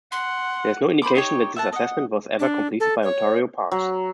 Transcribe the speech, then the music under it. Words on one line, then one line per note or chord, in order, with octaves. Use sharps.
There is no indication that this assessment was ever completed by Ontario Parks.
F#5 C6
C5 B5 C6 D6
D#4 G4 C#5
E5 F#5 A5
D#5 F#5
D4
A4
C#5
F#3